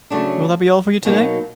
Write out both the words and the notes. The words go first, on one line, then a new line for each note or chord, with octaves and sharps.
Will that be all for you today?
C#3 F#3 A3 D4
B2 F#3 A#3 D#4